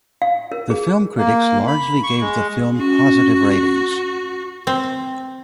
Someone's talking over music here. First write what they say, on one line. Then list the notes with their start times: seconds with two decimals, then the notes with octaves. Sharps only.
The film critics largely gave the film positive ratings.
0.22 F5
0.52 A#4
0.70 G#4
1.18 A#3
1.67 B5
2.03 C#6
2.21 G#3
2.78 C#4 F#4
4.67 C4